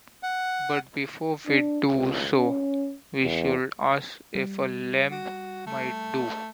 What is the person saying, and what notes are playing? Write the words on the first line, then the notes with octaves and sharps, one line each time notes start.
But before we do so we should ask if a lamb might do.
F#5
D4
C#2
C#4
E2
G3
F#4
A3